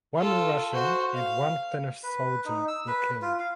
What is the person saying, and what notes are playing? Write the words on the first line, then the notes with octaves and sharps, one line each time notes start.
One Russian and one Finnish soldier were killed.
F4 A4
F#4 C5
F5
B4
D#4
E6
B4
F4
F5